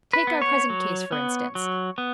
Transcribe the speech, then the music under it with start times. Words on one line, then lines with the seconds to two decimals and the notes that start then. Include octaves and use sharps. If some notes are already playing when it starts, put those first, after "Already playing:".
Take our present case, for instance.
0.13 B4
0.27 B3
0.42 C#5
0.70 F#3
1.12 B3
1.55 F#3
1.98 B3